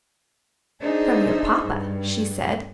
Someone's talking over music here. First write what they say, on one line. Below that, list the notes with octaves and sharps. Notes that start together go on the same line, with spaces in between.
"From your papa," she said.
D4 D#4 G#4 C5 E5
G2